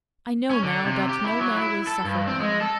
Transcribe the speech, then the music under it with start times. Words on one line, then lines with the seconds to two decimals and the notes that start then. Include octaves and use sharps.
'I know now that no man will suffer by me.
0.50 C#4
0.63 D3
0.85 C3
1.09 G4
1.24 E4
1.40 F#3
1.57 E4
1.87 A4
2.05 G2
2.27 C4
2.40 G#3
2.61 A4